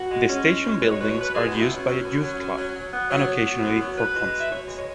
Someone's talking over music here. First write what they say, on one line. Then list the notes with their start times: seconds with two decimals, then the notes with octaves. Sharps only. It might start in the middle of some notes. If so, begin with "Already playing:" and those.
The station buildings are used by a youth club, and occasionally for concerts.
Already playing: B2 F#4
0.11 G#3
0.28 G#3 C#4
0.46 G#3
0.64 B2
0.81 G#3 B4
0.91 C#5
0.99 B2 B4
1.10 C#5
1.16 B2 B4
1.34 G#3 G#4
1.47 B2 F#4
1.61 E4
1.69 B2
1.74 C#4
1.87 F#3
2.05 F#2
2.22 F#3
2.40 F#2
2.57 F#3
2.75 F#3
2.92 F#3 B3
3.10 F#3
3.19 B3
3.28 F#3
3.45 F#3
3.62 F#2
3.81 F#3
3.97 B2 B4
4.16 G#3
4.33 B2
4.39 E5
4.50 B2 C#5
4.68 G#3
4.77 C#5